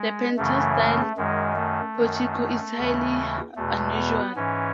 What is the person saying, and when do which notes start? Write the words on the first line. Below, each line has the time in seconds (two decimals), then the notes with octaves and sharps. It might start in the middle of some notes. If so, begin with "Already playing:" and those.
The pentastyle portico is highly unusual.
Already playing: G#3
0.37 F#2 C#3 E3 A3
0.76 A3
1.17 F#2 D#3 G#3
1.56 A3
1.96 F#2 D#3
2.77 D#2 C#3 E3
3.56 E2 B2 A3
3.96 B3
4.35 G#2 E3 C#4